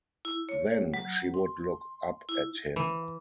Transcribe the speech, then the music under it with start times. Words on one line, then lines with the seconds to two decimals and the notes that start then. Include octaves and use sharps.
Then she would look up at him.
0.25 E4
0.49 C#5
0.94 F#3
1.34 C6
2.29 E4
2.76 E3